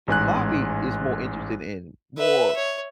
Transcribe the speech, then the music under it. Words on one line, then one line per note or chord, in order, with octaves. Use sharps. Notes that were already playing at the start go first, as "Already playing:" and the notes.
but Bobby is more interested in more
A1 G#2 G#5 F#6
B4 E5
C#5